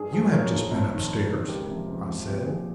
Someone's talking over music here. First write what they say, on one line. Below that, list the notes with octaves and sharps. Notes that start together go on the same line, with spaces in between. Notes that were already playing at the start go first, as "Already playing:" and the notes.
"You have just been up-stairs," I said.
Already playing: G2 G#4
F3 G#4
G2 A#4 C#5
F3
F2
D#3
F2
D#3
C#2 G4 A#4
C3 F3
C#2
C3 F3
C2 G4
A#2 F3 G#4